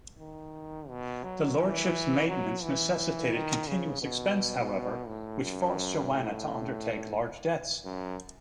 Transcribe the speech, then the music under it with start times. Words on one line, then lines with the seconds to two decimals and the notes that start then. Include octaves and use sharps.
The lordship's maintenance necessitated continuous expense, however, which forced Joanna to undertake large debts.
0.19 D#3
0.89 B2
1.23 F#3
1.58 E3
2.28 F#3
2.63 E3
3.33 D#3
3.68 C#3
4.02 B2
5.07 A2
5.42 F#2
6.12 A2
7.85 F#2